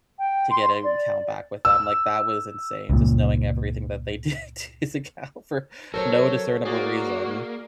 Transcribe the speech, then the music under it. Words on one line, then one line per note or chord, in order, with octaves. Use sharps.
to get an account back with them. Like, that was insane, just knowing everything that they did to his account for no discernible reason.
G5
C6
D5
E6
C#2 G2 A#2
F#3 A4 A#4 C5 C#5
A#3 F#4 G#4 D5 D6